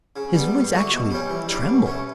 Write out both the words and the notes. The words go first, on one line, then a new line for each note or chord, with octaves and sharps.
His voice actually trembled.
C#3
G3 B3
G2
D3 A3 D4 F#4
B2
G3 C#4 G4
E3
G3 D4
B2
A3 C#4